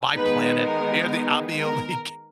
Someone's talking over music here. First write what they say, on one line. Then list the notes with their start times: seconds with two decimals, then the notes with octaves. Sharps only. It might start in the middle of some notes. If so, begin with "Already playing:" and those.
my planet, they're the I'm the only
0.16 D#3 G#3 B3 D#4 B4
0.63 A#4
1.60 A#4